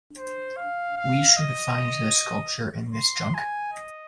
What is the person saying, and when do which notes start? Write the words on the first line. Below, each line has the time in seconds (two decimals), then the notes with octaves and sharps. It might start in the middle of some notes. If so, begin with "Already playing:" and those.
We should find the sculpture in this junk?
0.17 C5
0.57 F5
0.97 F5
1.37 D#5
2.94 C6
3.34 G#5
3.73 D#5